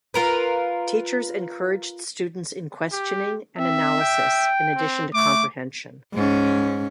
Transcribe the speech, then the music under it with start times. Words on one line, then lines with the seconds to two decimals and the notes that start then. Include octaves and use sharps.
Teachers encouraged students in questioning and analysis, in addition to comprehension.
0.14 F4 A#4 B4
2.92 G4
3.58 C4 E5
4.00 G5
4.76 C4
5.14 A3 D6
6.14 G#2 C#4